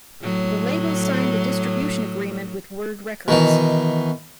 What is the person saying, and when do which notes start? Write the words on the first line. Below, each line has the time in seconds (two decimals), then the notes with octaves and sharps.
The label signed a distribution agreement with Word Records.
0.21 A2 F#3
3.28 B2 D#3 E3